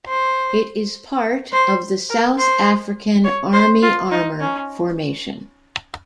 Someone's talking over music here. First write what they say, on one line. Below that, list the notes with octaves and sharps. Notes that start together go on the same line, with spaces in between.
It is part of the South African Army Armour Formation.
C5
C5
A#4
C5
C#5
C5
F4
D#4
C#4